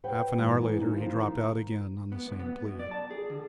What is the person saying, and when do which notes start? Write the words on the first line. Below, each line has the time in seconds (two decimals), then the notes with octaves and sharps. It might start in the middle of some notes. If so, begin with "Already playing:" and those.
Half an hour later he dropped out again on the same plea.
0.04 B4 C#5 F#5 G5
0.34 G#2 E3 B3
0.79 D#3 F#3 C#4 D#4
0.96 D#3 F3 A#3
1.17 D#3
2.12 B3
2.26 C2
2.39 B3
2.65 F#2
2.79 D5
2.91 A5
3.11 G#4
3.30 D3